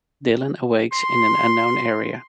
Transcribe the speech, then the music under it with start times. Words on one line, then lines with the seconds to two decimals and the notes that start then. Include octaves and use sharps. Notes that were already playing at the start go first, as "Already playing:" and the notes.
Dylan awakes in an unknown area.
0.92 C6